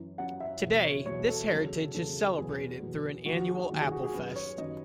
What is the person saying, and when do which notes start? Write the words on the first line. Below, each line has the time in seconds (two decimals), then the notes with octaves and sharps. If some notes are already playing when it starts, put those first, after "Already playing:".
Today, this heritage is celebrated through an annual Applefest.
Already playing: F#2 E3
0.18 F#2 E3 F#5
0.40 E5
0.62 E2 B2 F#3
0.84 C#5
1.06 E2 B2 F#3 C#5
1.28 A4
1.51 E2 C#3 F#3
1.94 E2 C#3 F#3 A4
2.38 E2 B2 F#3 G#4
2.82 E2 B2 F#3
3.26 D#2 D#3 F#3 F#4
3.37 F#4
3.48 G#4
3.59 F#4
3.69 D#2 D#3 F#3 F#4
3.81 G#4
3.91 F#4
4.03 G#4
4.14 F#2 D#3 F#3 B4
4.36 C#5
4.58 F#2 D#3 F#3 D#5